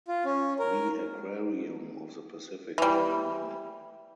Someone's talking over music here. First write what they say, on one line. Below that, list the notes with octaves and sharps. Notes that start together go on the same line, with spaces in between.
The Aquarium of the Pacific is nearby.
F4
C#4
A#4
E3 G3